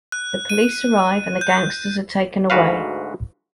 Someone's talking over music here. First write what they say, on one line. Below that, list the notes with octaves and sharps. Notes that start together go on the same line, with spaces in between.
The police arrive and the gangsters are taken away.
F#6
D#7
G6
D2 G#2 F#4 B4 F5